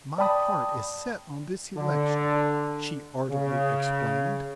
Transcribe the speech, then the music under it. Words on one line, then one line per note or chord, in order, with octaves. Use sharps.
"My heart is set on this election," she ardently explained.
D5 G5 A5 B5 D#6
D3
C#3